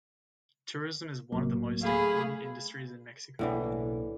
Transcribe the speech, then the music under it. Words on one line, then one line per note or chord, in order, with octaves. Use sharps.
Tourism is one of the most important industries in Mexico.
D1 F#3 A#3
A3 G#4 F5 B5
B1 A2 D3 E3 A#3 D4